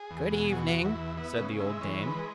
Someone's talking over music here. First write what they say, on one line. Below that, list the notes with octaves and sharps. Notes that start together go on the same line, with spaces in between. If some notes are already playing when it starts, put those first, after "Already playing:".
'Good evening!' said the old dame.
Already playing: G#4
E2
B2
E2 F#4
E2
E4
E2
B3 E4
C#3
G#3 E5
E3 C#5
G#3 B4